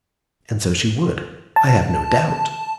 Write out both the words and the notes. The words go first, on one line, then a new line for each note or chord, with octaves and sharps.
And so she would, I have no doubt.
A5